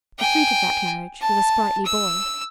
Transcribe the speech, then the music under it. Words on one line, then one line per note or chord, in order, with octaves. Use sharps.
The fruit of that marriage was a sprightly boy.
G5 G#5
A5
E6